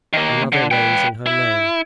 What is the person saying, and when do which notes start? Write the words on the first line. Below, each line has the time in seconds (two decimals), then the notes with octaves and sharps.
Another reigns in her name.
0.13 D#3 A#3
0.52 D3
0.71 B4 G5
1.26 E4